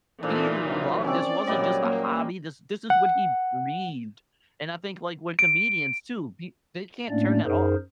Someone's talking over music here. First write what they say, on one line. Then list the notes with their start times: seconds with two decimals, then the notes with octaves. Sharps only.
he loved. This wasn't just a hobby, this this is what he breathed." And I think, like, when comedians too, they can't turn that off.
0.23 A#2 E3 D4 D#4 F4 A4 C5
0.63 C2 C3 F#3
1.04 C4 C#4 D5
1.47 A#2 F#3 G3 C#5 D#5
1.78 A#3
2.90 F#5
5.39 D7
7.10 A2 A3 A#3 C#4 D4 D5
7.44 F#2 D#4 G#4 A#4 C5